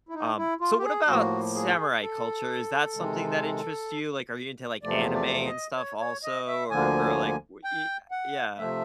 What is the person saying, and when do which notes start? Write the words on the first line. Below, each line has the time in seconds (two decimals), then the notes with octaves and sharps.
um so what about samurai culture, is that something that interests you, like, are you into, like, anime and stuff, also, or or, like, wh i yeah,
0.09 E4
0.14 D#4
0.37 E4
0.61 F4
0.79 G4
0.84 G#4
1.08 A2 F3 A#3 F#4
1.55 G#4
2.02 A4
2.95 C3 D#3 G#3
4.83 E2 C3 F3 A3 D5
5.14 D5
5.45 D#5
5.76 C#5
6.00 C#5
6.24 D#5
6.47 E5
6.71 D2 D3 F3 A#3 G#5
7.64 G5
8.11 F#5
8.58 C3 F3 A3 E5